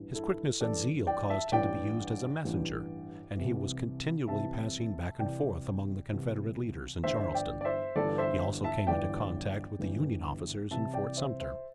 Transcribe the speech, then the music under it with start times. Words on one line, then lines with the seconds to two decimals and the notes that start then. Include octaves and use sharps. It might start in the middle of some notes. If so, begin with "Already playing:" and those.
His quickness and zeal caused him to be used as a messenger, and he was continually passing back and forth among the Confederate leaders in Charleston. He also came into contact with the Union officers in Fort Sumter.
Already playing: A1 G2 E3
0.14 E4 A4
0.60 A1 G2 E3 A4 D5
1.07 D5 G5
1.30 E5 A5
1.52 A1 G2 E3 D5 G5
2.44 A1 G2 E3
3.36 C2 C3 E3
4.28 C2 C3 E3 E5 A5
5.20 C2 C3 E3 D5 G5
6.12 C2 C3 E3
7.04 G1 G2 E3 C5 E5
7.35 D5 G5
7.61 D5
7.65 C5 E5
7.96 G1 G2 E3 A4 D5
8.18 C5 E5
8.64 E5 A5
8.87 G1 G2 E3 D5 G5
9.79 G1 G2 E3
10.71 C2 C3 E3 E5 A5
10.94 D5 G5
11.17 C5 E5
11.40 C5 E5